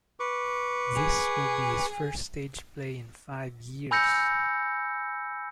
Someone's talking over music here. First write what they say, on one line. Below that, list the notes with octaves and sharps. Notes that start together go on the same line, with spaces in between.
This will be his first stage play in five years.
B4 C#6 D6
G#4
G#5 B5 E6 G6 A#6 C#7